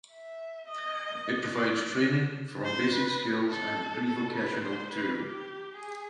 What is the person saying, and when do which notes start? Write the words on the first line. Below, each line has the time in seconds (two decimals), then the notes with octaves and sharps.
It provides training, from basic skills and prevocational to.
0.12 E5
0.68 D#5
1.52 D5
2.65 C5
2.93 B4
3.50 A4
4.06 A4
4.34 B4
4.63 C5
4.91 B4
5.19 G4
5.76 G#4